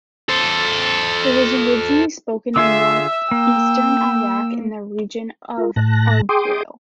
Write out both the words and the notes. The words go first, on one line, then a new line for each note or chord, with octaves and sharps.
It was originally spoken in northeastern Iraq, in the region of Arbil.
A4 C5
D3 F4 G#4 E5 E6
A#3 G5
F4 A#4
A2 A5 F#6 A#6
G#4 G5 C6 D6 D#6